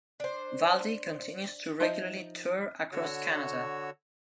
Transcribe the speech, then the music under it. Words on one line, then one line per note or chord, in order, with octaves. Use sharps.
Valdy continues to regularly tour across Canada.
D4 C5
F3 D#4 C5 D#5 E5
D3 F#4 C#5 E6